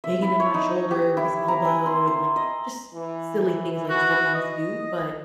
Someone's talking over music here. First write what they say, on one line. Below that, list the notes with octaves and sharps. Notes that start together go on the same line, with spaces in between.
digging in my shoulder with his elbow and, like, just silly things like siblings do, but
E5
E4
C#5
D#4
G4
E4
A#5
G#5
C6
C5
D#5
E3
F#4
D#5